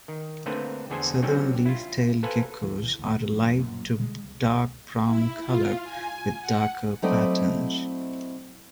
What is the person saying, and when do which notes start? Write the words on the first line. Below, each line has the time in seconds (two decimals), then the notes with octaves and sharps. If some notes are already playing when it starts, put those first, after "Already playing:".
Southern leaf tailed geckos are a light to dark brown colour with darker patterns.
0.08 D#3
0.46 D3 A3 A#3 C4 B4 C5
0.90 E2 D3 G#4 A4 C5 G#5
1.22 B2 D3 F#3 G3 C4 C#4
1.66 E4 F4
2.23 A4 B4 C5 F5 G#5
2.62 C#2 E3
2.99 D2 A#2
3.32 G2 F3
3.53 B1 F#2 A#2
3.98 B2 D3 G3 G#3
4.24 C2
5.07 E4
5.45 F4
5.84 G#5
6.41 F#5
7.02 F#3 A3 C4 E4 D5 D#5